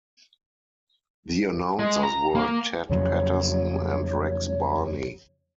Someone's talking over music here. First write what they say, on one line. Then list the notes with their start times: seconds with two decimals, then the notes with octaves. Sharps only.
The announcers were Ted Patterson and Rex Barney.
1.79 G#3
2.03 A#5
2.35 A#3
2.89 F2 C#3 F#3 C#5